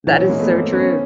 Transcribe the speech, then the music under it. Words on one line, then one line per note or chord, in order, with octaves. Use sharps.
That is so true.
E3 F#3
E3 F#3
G#3 A#3
A3 B3
A#3 C4
B3 C#4